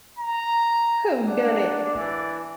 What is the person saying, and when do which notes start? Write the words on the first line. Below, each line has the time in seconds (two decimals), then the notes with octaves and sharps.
Who Done It?
0.19 A#5
1.27 D4 F#5
1.96 E3 D5